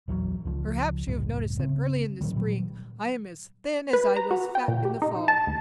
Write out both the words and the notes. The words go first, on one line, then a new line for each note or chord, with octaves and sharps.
Perhaps you have noticed that early in the spring I am as thin as I was fat in the fall.
A#1 E2 F3 F#3
C#2 F3
F#1 C#2 A2 G3
C#3 C4
A2 D#3 F#3 G3
A#2 F#3 G3
B4
A#5
F#4
G5
A#2
G4
D#4
A5
D2